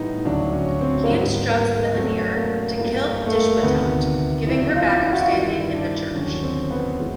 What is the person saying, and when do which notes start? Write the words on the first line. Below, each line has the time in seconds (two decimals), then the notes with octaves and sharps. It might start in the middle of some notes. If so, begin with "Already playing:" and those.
He instructs Millenear to kill Deshwitat, giving her back her standing in the church.
Already playing: A2 E3 G3 B3 D#4
0.25 D2 C#3 F#3 D4
0.52 C#4
0.81 C4
1.04 A#3
1.09 G#2 E3 G3 B3
1.51 A#3
1.94 E2 C#3 F#3 A3
2.36 A#3
2.78 G2 E3 G3 A#3
3.06 A#3
3.26 A3
3.34 A#3
3.56 A#3
3.62 D2 C3 D#3 B3
4.46 E2 C#3 F#3 E4
4.75 F4
5.03 E4
5.13 F#4
5.22 F4
5.31 G2 D#3 G3 E4
5.73 D4
6.14 D#2 D3 F#3 C#4
6.43 C4
6.70 B3
7.00 E3 G#3